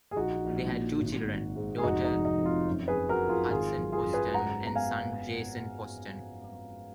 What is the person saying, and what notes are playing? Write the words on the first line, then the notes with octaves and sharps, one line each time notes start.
They had two children, daughter Hudson Poston and son Jason Poston.
G#4
A#1 D#4 F#4
A#1
A#2
G#1
G#1
G#2
G#4
F1 D#4 F#4
D#4
F1
D#4
F2
F4
F#2
G#4 B4
F#2
F#4 A#4
F3
F4 G#4
G#1 F4 G#4
F#3
F4 G#4
F#2
G#4 B4
G#2 F#5 A#5
B3 A#5
F5 G#5